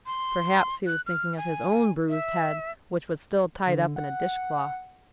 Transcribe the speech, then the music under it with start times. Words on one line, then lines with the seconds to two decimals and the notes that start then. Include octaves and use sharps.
Perhaps he was thinking of his own bruised head, which was still tied up in a dishcloth.
0.06 C6
0.87 F#6
1.06 F6
1.37 G#5
2.09 E5
3.66 D3
3.96 F#5